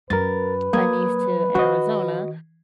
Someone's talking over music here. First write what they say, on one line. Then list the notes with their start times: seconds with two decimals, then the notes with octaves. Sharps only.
my niece to Arizona,
0.10 F#2 A#4 B4 A6
0.73 F#3 A#3 D#6 G#6
1.55 D#3 F#4 D#5